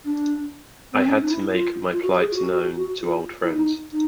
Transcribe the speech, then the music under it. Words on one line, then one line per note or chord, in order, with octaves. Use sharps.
I had to make my plight known to old friends.
D4
C4
C#4
D#4
E4
F4
F4
F#4
G#4
F4
F#4
F#4
F#4
F4
E4
D#4
D#4